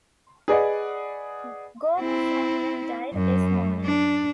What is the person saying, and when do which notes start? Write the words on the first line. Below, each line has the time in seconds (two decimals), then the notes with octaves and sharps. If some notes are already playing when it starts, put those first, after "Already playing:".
Gower Champion died this morning.
0.48 G#4 B4 D5 D#5 F#5
1.99 C4 E4
3.13 F#2
3.85 D4